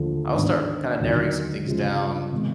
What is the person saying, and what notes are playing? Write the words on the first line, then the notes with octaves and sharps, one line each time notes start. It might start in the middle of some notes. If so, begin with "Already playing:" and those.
I'll start kinda narrowing some things down
Already playing: D#2 D3 F3 A3
G#2 D#3 G#3 B3 D4
D#2 D3 F#3 B3 D#4
C#3 F3 G#3
C3 D#3 G#3 B3